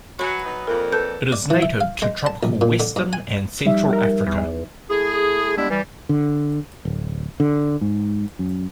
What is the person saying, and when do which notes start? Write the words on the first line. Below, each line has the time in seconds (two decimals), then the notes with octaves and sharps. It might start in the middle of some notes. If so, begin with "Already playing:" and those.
It is native to tropical western and central Africa.
0.19 F#3 F#4 B4 G#5
0.45 F#3 B3 D#4
0.67 F2 A#2 A#4
0.92 A4 B4 G6
1.32 D5
1.50 E3
1.62 E5
1.81 F5
2.02 G#3
2.26 A5
2.43 A#1
2.61 A#2
2.80 D3
2.96 G2
3.13 G#5
3.65 F3 G3 D#4 E5
3.93 A#4
4.27 E2
4.90 A3 E4 G#4
5.57 G3 G#3 B3 D4 E4
5.69 E3 G3
6.09 D3
6.85 D1
7.40 D3
7.81 G#2
8.39 F#2